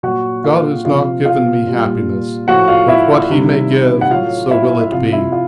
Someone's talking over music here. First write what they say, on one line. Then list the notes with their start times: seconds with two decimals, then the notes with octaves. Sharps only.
God has not given me happiness, but what He may give, so will it be.
0.03 A#2 F#3 F#4 F#5
0.44 F4 F5
0.85 C3 F3 F4 F5
1.25 F4 F5
1.67 A#2 G3
2.48 A2 F3 F#4 F#5
2.68 F4 F5
2.88 E4 E5
3.29 C3 D#3 G3
4.01 F#5
4.11 A2 F#3 F4 F5
4.51 E4 E5
4.81 E5
4.92 C3 F3 F4 F5
5.12 E4 E5
5.32 F4